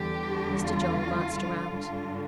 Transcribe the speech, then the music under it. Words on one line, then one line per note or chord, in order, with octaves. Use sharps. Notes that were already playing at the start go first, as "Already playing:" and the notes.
Mr. John glanced round.
Already playing: E2 D3 G3 G4
F4
G2 D3 G3 F4
F4